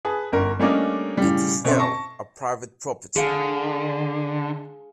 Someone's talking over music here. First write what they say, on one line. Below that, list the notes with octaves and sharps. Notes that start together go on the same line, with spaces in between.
It is now a private property.
G#4 B4 A5
G1 A#4
G3 A3 A#3 C#4 D4 D#5
A2 C#3 G3
B2 C4 A4 E5 C6
A5 C#6 A#6
D3 G#4 F5